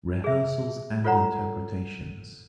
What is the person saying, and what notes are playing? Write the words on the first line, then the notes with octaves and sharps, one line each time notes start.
Rehearsals and interpretations.
G#4 E5
F4 A4 C5 C#5 F#5 A#5